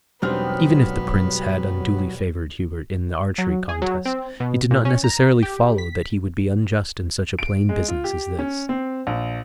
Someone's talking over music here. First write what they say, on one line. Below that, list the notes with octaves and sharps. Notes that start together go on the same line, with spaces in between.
Even if the Prince had unduly favored Hubert in the archery contest, it did not necessarily follow that he would be unjust in such a plain business as this.
E1 F#3 G3 B3 C4 D4 D#4 F6
F#3
G#4
F#3
C4
B2
A#2
C#4
A#5
G4
B6
D7
G#3
F4
G4
C#4
C4
A#1